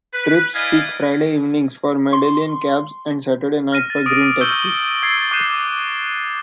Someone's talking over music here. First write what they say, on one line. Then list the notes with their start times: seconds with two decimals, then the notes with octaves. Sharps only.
Trips peak Friday evenings for medallion cabs, and Saturday night for Green Taxis.
0.14 B4
0.54 E4 D5 D#5 F5 G#5
2.12 C6
3.72 F6 A#6 D#7
3.90 A6
4.06 D6 D#6 D7
4.41 C#6 E6 F6 G6 D#7 G7
5.03 E6 G#6 A6 C7
5.31 D6 F#6 G6 C7 D#7 E7